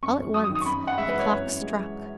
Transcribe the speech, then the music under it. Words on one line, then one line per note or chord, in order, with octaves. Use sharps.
All at once, the clock struck.
F#2 C#6
F#2
F#3 D#6
D#6
D#3
D#6
C#6
F#2 B5
F#2
F#5
G#3 E5
B4
E3
C#5
F#2
F#2
G#3